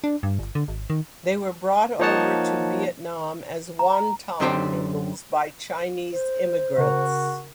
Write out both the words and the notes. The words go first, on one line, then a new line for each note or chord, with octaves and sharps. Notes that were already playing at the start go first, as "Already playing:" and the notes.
They were brought over to Vietnam as wonton noodles by Chinese immigrants.
D4
G2
G1
D3
G#1
D#3
F3 A#3 D#4 C#5 F#5 A5
A#5
F#2 D3 C4 G4 C5 G5
C5
C#3 F#4 A#4